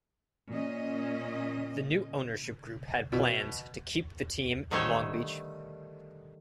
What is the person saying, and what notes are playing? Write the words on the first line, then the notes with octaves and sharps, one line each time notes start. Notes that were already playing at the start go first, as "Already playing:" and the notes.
The new ownership group had plans to keep the team in Long Beach.
A#2 C#4 D#5
B2
D3 D#3 G3 A3 C5 C#5